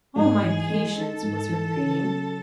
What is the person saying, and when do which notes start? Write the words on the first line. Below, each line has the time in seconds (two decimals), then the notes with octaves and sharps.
"O, my patience!" was her greeting.
0.16 G#2 G#4
0.42 E3
0.69 G#3
0.95 D#4 A4
1.23 G#2
1.48 E3
1.76 C#3
2.01 F#3